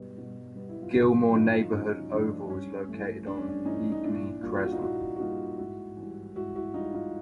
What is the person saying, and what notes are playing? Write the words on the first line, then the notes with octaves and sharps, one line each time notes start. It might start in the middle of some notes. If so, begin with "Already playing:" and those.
Gilmore Neighbourhood Oval is located on Heagney Crescent.
Already playing: B2 G3 B3
B2
G3 B3
E4
F4
G2 E4 F#4
D3 F3 A3 D#4 F4
G2 C#4 D#4
D3 F3 A3 D4
G2 C#4
E3 A3
G2 D4
C#4
D4
E3 A3 C#4 D#4
D#4
A#2 D4 E4
G3 A#3 F4
F#4
F4
F#4
D#4 F4
A#2 E4 F#4
F#4
G3 A#3 D#4 F4
G#2 E4 F#4
E3 G3
G#2 E4 F#4
E4 F#4
E3 G3 D#4 F4
D#4 F4